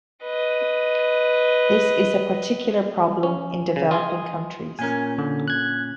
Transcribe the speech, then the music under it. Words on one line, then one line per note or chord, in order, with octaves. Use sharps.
This is a particular problem in developing countries.
B4 D#5
C#4
C#3
F4 D#5 G#5
A#2 C#4 A#4 G#5
D3
F#6 G#6